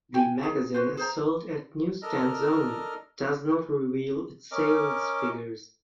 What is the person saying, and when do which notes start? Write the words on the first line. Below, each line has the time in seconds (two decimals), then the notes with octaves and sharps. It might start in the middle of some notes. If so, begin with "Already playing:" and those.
The magazine is sold at newsstands only and does not reveal its sales figures.
0.14 G5 G#5
0.43 G#4
0.74 F#4 B4 C5
0.97 G#4 C5 A#5
2.02 D4 A4 A#4 D#5 F6
4.51 C#4 A#4 D#5 D6